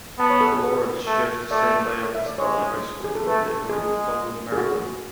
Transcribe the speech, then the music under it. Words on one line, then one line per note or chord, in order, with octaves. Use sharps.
Laurel shares the same layout as Bowie High School, in neighboring Bowie, Maryland.
B3 A5
C#5
A4
G#4
A3
A3 D5
E5
D5
G#3 C#5
G#4
A4
A3 B4
A4
G#3 G#4
G#4
F#4